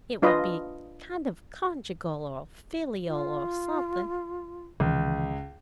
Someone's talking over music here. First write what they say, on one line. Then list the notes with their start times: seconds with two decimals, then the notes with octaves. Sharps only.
It would be kind of conjugal, or filial, or something.
0.22 D4 F4 B4 D#5
3.08 F4
4.80 C#2 C3 D#3 E3